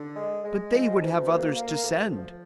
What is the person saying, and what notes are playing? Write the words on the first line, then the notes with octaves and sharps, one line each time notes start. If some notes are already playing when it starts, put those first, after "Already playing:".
But they would have others to send.
Already playing: D3
G#3
G#3
F3
D2
A#3
A#3
D2
F3